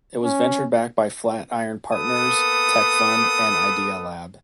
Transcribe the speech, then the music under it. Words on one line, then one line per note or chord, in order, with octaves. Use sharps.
It was venture backed by Flatiron Partners, TechFund, and idealab!
C#4
A#3 B3 A4 B4 D#6